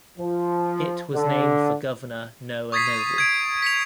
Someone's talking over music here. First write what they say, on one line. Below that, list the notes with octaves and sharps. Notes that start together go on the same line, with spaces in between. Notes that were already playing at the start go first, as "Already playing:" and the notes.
It was named for Governor Noah Noble.
F3
D3
C#6 D#6 G#6 A6 B6 C7
C7 D#7
G#6 D7
B6 C#7 F7